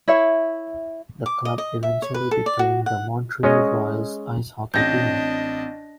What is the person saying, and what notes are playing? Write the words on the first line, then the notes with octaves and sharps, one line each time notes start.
The club eventually became the Montreal Royals ice hockey team.
E4 C#5 E5
D6
D#5
D#5
E5
C#5
B4
A4
D5
F#4
F#5
G#3 C#4 C#5 D#5
A1 C4 D4 D#5 G6 A#6